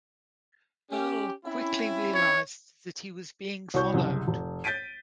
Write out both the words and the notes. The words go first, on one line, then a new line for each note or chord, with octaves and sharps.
Earl quickly realized that he was being followed.
C#4 G4
C4 C#4 E4
C#5
C2 F#4 C#5 C#6 G6
F#1 C2 C3
F1
G6 A6 B6 D7 D#7